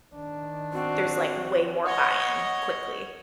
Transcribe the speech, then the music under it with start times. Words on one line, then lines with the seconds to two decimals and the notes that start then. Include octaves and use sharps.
there's, like, way more buy-in, quickly.
0.13 D#3 D4
0.73 C4 F#4
1.85 C#5 D#5 F#5